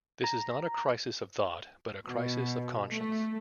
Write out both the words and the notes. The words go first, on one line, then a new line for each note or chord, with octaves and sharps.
This is not a crisis of thought, but a crisis of conscience.
A#5
B2
A3